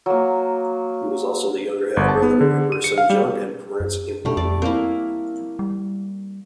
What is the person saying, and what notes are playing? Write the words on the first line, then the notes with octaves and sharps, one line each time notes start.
He was also the younger half-brother of Emperor Sunjong and Prince Imperial Ui.
F#3 A#3
G1
A5
B3
D3
D#7
C#7
F5
G3
F#2
B2 G3 A3
F2 D5
A#3 C4 E4
G3